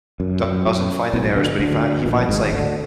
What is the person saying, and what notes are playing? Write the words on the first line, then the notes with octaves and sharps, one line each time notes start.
d doesn't find Daenerys, but he find he finds, like,
F#2
F#2
F#2
B1 B2
B1 B2
D2 D3
D2 D3
B2
A#1 A#2
G#1 G#2
D2 D3